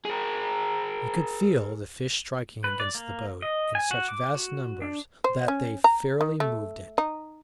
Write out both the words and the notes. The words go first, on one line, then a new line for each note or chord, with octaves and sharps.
We could feel the fish striking against the boat in such vast numbers that they fairly moved it.
G#4 A#4
B4
D5
A#3
D#5
G#5
F#4
D6
F#4
D4
C5
C#4
A#5
D#3
A3
D#4